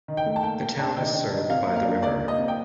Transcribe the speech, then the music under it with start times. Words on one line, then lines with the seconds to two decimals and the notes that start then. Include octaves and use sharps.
The town is served by the River.
0.08 D#3
0.17 G5
0.26 A3
0.36 A5
0.43 A#3 G5
0.61 A#3 G5
0.79 D4 A5
0.97 D#3 G5
1.14 D4
1.31 D#3
1.49 C3 F5
1.67 A#3
1.76 F5
1.85 D4
2.02 A#3 D5
2.20 A#3
2.28 D#5
2.38 C3
2.48 G5